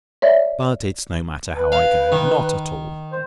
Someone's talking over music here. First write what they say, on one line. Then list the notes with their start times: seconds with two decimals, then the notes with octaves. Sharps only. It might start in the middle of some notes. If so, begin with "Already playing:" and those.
But it's no matter how I go,--not at all.
0.22 C#5 D5 E5
1.54 B4
1.72 F5
2.12 D#3
3.12 C5